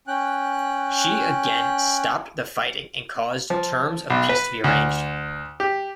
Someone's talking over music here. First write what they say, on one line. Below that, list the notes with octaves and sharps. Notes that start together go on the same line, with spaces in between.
She again stopped the fighting and caused terms of peace to be arranged.
C#4 G5 F#6
F3
B1
B4
D2
G4